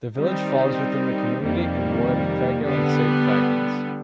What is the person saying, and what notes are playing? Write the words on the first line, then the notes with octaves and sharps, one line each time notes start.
The village falls within the community and ward of Creigiau and Saint Fagans.
D#3 G3 C4 D#4
F2 C3 D#3 G3 A#3
D3 G3 B3